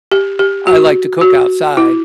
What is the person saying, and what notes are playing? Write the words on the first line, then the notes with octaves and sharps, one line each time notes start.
I like to cook outside
G4
G4
F#4
F#4
E4